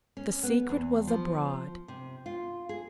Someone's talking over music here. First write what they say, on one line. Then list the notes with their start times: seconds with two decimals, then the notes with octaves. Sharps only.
The secret was abroad.
0.17 C#4
0.43 B3
0.69 E2
1.07 F3
1.88 C3
2.26 F4
2.69 G#4